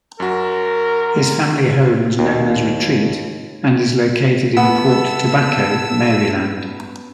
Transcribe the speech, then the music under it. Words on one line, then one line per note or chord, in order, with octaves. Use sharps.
His family home was known as Retreat and is located in Port Tobacco, Maryland.
F#2 F#4 A#4
D#2
B3 A4 E5 F#5 E6